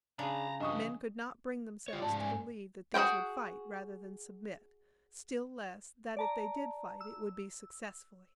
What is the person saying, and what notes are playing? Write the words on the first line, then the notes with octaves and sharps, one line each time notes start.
Men could not bring themselves to believe that these would fight rather than submit, still less that if they did fight it would be successfully.
C#3 D4 G#4 A#5 B5
G2 E3 D4 D#5 C#6 D#6
F4 C#5
G#2 C3 D5 A5
G#5
F#4 G#4 C5 F#5 G5
D5 A5 A#5
E6